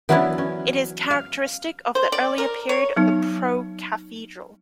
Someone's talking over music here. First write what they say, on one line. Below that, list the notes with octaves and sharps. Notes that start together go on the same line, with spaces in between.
It is characteristic of the earlier period of the Pro-Cathedral.
E3 F#3 B3 C#4 D4 E4
C#4
F5
C5
D5
A#4
C#5
F#3 B3 D#4